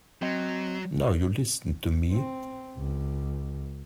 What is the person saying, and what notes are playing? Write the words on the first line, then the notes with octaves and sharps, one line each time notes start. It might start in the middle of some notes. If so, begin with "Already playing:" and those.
Now you listen to me.
F#3 C4 D#5
C4
C#2